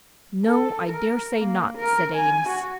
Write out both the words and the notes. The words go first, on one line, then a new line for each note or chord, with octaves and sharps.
"No; I dare say not," said Eames.
A4
A#4
A#3
A#4
G#5
F#4